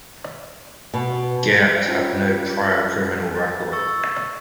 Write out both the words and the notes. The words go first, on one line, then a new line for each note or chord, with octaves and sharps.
Gerdt had no prior criminal record.
B2
C#4 F4 C5
A6
C#6 E6 A6